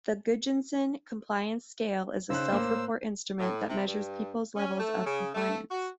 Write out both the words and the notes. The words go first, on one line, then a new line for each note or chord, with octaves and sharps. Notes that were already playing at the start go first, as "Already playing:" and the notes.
The Gudjonsson Compliance Scale is a self-report instrument that measures peoples' levels of compliance.
C#3 D#4 C5 E6 F#6
A2 A#3
A2
C3
G2
C#4
A3
C#3
A3
F#4